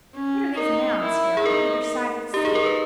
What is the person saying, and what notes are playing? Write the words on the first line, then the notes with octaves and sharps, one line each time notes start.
"What are these mounds here on either side of the sea?"
C#4
D#4 A#4
E4
G#4
D#4 A#4
D#4 G4
G#4
A#4
B4